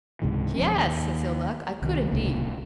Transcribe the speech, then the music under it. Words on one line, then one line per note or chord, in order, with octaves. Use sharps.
"Yes," says Ill-Luck, "I could indeed."
C#2 G#2 C3 E3
E1 F3 C#4
D#2
C2 D#3
D1 C2 C#3 A#3